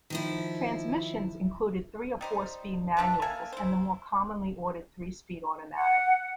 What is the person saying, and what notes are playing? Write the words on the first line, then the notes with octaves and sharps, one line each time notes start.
Transmissions included three- or four-speed manuals and the more commonly ordered three-speed automatic.
D#3 F3 E4
G3 D#4 C5
A3 D4 F4 B4
A#3 A4 E5 G#5
E4 C5
F#5